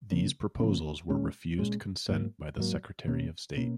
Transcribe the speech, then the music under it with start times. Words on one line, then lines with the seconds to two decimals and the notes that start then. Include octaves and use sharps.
These proposals were refused consent by the Secretary of State.
0.11 C#3 F3 A#3 C#4
0.60 C#3 F3 A#3 C#4
1.09 A#2 G#3 C#4
1.58 A#2 G#3 C#4
2.09 G#2 F#3 A#3
2.58 G#2 F#3 A#3
3.07 B2 A#3 C#4
3.56 B2 A#3 C#4